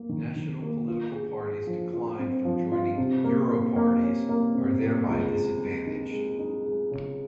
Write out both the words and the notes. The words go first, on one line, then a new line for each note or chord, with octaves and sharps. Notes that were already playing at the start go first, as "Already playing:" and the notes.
National political parties disinclined from joining Europarties are thereby disadvantaged.
Already playing: A#3
D#3
D#3
A#3
F4
G#4
G#4
F3
F4
C4
F3
F4
C3
A#3
A#3
A#3
C#4
A#3
C3
A#3
C#2
G#3
G#3
D#4
G#3
D#4
G#3
C#3